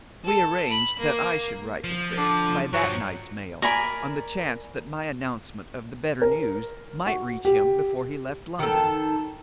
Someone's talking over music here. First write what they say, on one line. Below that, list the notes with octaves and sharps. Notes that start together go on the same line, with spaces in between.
We arranged that I should write to Fritz by that night's mail, on the chance that my announcement of the better news might reach him before he left London.
A4
B5
A#3
F3
D3
G2 F3 F#3
A#4 D5 G#5 B5
A#4
F#4
G4
D#3 A4